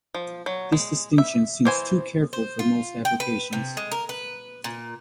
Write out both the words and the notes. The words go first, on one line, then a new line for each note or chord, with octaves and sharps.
This distinction seems too careful for most applications.
F3
F#3
G#3
E5
E3 C5 G#5
C5
F4
G5
B4
C3
G#3
A#4
B4
A#2